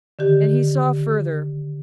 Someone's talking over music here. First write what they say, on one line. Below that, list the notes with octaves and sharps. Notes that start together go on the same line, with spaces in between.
And he saw further.
D3 D#3 G4